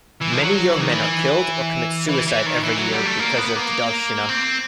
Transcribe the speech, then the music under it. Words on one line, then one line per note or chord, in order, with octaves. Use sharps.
Many young men are killed or commit suicide every year because of "dedovshchina".
E3
F3
F#3
E3
D#3
E3
E3
E3
D#3
E3
F#3
G3
A3
A#3
B3
A#3
C4